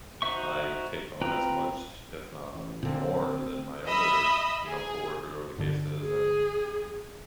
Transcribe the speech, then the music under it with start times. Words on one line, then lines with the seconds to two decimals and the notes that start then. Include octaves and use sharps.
I take on as much, if not more, than my other, you know, coworker over the cases. And,
0.22 D#4 F#4 C5 E5 C#6
1.21 C4 F4 B4 G5 A#5
2.52 A1
2.83 A#2 D3 C4
3.86 D#5 E5 B5 D#6 E6
4.63 G#4
5.58 G1 D3
6.01 G#4